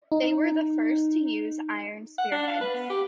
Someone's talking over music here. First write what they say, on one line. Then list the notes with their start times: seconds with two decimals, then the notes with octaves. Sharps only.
They were the first to use iron spearheads.
0.12 D#4
2.18 F#5
2.32 D4
2.48 F5
2.61 B4
2.75 B3
2.90 G4